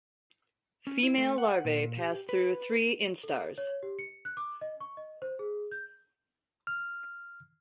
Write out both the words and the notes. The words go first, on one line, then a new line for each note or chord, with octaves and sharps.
Female larvae pass through three instars.
C#4
E4
A3
F#5
A#2
G4
B4
A4
C#5
G4
C#7
F#6
D6
D#5
C#6
D#5
C5
G#4
G6
F6